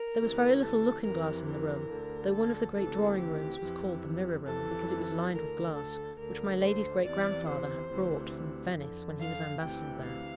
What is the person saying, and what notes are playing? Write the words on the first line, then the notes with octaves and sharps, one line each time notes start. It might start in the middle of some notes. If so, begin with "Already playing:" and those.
There was very little looking-glass in the room, though one of the great drawing- rooms was called the "Mirror Room," because it was lined with glass, which my lady's great-grandfather had brought from Venice when he was ambassador there.
Already playing: A#4
D2 C3 E3
A4
F2 C3 E3 A#4
A#4
D2 D3
A4
D2 C3 E3 A4
G4
F2 C3 E3
F2 C3 E3 A4
D2 D3 A#4
A4
D2 D3 A#4
C5
E2 C3 E3 D5
C5
D2 C3 E3
F2 D3
F5
D2 C3 E3 G5
F5